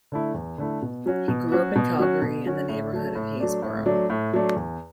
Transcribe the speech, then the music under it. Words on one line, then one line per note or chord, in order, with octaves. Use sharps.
He grew up in Calgary in the neighbourhood of Haysboro.
D3 A3 E4
E2
D3 A3 E4
B2
F#3 C#4 F#4
B2
F#3 C#4 F#4
B2
F#3 C#4 F#4
B2
F#3 C#4 F#4
A2
F#3 A3 D4
A2
F#3 A3 D4
A2
F#3 A3 D4
A2
F#3 A3 D4
E2